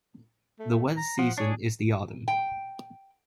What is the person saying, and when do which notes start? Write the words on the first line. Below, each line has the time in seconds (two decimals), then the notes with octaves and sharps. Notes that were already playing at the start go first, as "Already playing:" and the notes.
The wettest season is the autumn.
0.59 A3
0.97 A#5
1.19 F3 F#5
1.38 D4 G#4 C#5
2.28 G5